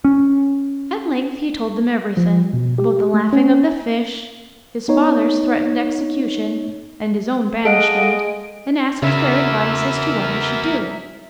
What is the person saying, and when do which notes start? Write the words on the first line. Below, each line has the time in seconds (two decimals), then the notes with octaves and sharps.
At length he told them everything--about the laughing of the fish, his father's threatened execution, and his own banishment--and asked their advice as to what he should do.
0.04 C#4
2.17 F3
2.53 B2
2.78 G4
3.14 A3
3.33 C#4
4.88 B3 D#4 C#5
7.65 G#3 A4 D#5 F5 F#5 D7
9.02 E2 C#3 E3 F#4 A#4 E5